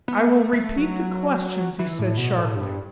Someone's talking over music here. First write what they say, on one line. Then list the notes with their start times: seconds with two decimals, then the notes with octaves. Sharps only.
"I will repeat the questions," he said sharply.
0.08 B3
0.27 A3
0.53 A3
0.78 F#3
1.79 E3
1.99 A2
2.17 B2
2.36 A2
2.56 G2